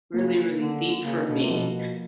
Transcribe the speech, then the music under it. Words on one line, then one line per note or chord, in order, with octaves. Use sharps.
really, really deep for me.
C#3 A#3
D3 A#3
C#3 A#3
B2
C3
B2 F3
B2